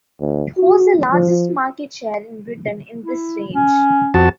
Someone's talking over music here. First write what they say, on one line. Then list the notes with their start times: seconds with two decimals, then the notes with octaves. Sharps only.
It holds the largest market share in Britain in this range.
0.21 D2
0.57 F#4
1.13 F3
3.06 E4
3.55 C#4
4.14 F2 F#4 A5